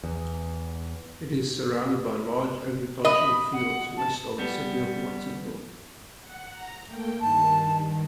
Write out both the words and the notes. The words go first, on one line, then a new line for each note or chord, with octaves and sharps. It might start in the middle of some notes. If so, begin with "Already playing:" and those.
It is surrounded by large agricultural fields west of the city of Watsonville.
E2
D#5 B5
F#5
A5
G3 B3
F#5
A#5
A3 A#3 G5
G2 D#3 A5